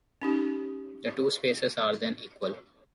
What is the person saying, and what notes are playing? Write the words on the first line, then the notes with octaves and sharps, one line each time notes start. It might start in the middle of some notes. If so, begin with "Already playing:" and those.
The two spaces are then equal.
C#4 D#4 G4